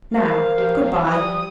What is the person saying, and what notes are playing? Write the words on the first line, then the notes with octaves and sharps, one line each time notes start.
Now good-bye.
A#4 C5 F5
F3 G4
G3 D#6